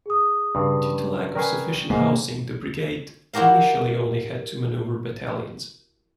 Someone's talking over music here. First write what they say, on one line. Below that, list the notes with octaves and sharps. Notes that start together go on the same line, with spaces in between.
Due to lack of sufficient housing, the brigade initially only had two maneuver battalions.
G#4 D#6
G2 C#3 C4
A#4 B4 D5 G5 G#5 C#6 D#6 C7
G#2 C3 A#3
E4 F#4 G4 A#4 F5